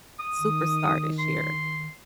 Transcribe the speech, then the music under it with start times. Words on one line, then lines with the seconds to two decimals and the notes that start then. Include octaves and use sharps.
superstar this year.
0.19 D#6
0.39 D#3
1.19 C6